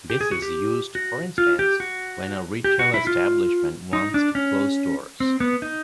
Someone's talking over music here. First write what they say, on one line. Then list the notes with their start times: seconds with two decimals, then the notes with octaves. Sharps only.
This is used, for instance, when a retail establishment wants to close stores.
0.10 G4
0.21 G#4
0.32 F#4
0.42 G4
0.95 F#4
1.38 F4
1.59 G4
1.80 F#4
2.64 G4
2.79 F#4
2.94 E4
3.07 F4
3.93 D#4
4.14 D4
4.35 C#4
5.20 C4
5.40 B3
5.62 D#4